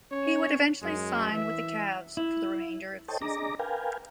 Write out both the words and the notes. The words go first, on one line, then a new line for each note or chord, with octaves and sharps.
He would eventually sign with the Cavs for the remainder of the season.
C#4 C#5
F#2 G#3
E3 E5
E4
A4 C5 C#5 D#5 G5 A5
D4 G#4 D#5 A#5 D6 A#6
A#4 B4 F5 G5 G#5